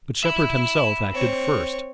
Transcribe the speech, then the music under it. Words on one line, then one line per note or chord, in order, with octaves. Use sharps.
But Shepard himself acted first.
E5 B5
C4 C#5